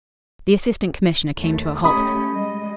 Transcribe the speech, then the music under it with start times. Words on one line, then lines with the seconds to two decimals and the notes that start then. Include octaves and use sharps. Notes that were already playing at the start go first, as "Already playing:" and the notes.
The Assistant Commissioner came to a halt.
1.38 D#2 A3
1.84 A3 C#4 G4 B5 D#6
2.31 G3 G#3 D#5